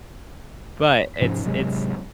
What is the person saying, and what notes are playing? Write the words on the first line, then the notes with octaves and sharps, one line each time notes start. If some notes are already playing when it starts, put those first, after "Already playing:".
but it's it's,
G#2 C3 F3 C#4
G#1 C3 F#3 G#3